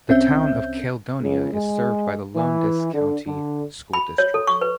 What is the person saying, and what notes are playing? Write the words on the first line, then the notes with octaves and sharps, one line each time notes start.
The Town of Caledonia is served by the Lowndes County School District.
C2 C4 C#4 E5 G6
C#2
G#3
E3
D3
D3
B5
C#5
A4
C#6
B4